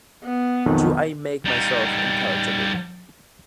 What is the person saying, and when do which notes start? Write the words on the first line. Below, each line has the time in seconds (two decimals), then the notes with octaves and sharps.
Do I make myself intelligible?
0.24 B3
0.66 B1 F2 D#3
1.45 G3 D#4